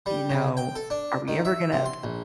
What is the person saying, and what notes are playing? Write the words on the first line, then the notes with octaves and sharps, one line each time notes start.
you know, are we ever gonna"
G3
C#3
G5
A4
D4
D#3
E5
C3
C6
A#1